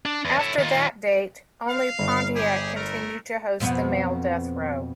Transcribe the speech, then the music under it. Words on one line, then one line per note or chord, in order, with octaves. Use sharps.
After that date, only Pontiac continued to host the male death row.
D4
E2
C#5 E5
D#3 F4
F5
G1
G4 G#4
A3 A#4
F2 B2 B3